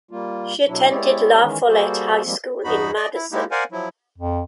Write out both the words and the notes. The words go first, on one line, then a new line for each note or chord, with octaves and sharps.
She attended La Follette High School in Madison.
G3 A#3 F4
B2 F#3 D4 E4
G#3 B3 E4 G4 C#5 D5
D#3 E3 G#3 C#4
G3 A#3 F#4 G#4 A4 C5
F3 G3 G#3 A#3 C4
E2 G2 B3 D#4 F#4 B5
D5 D#5
E4
G#3 A#3 D#4 E4 G4
A#4 C5 D5 F5 F#5 G#5
F3 F#3 E4
F2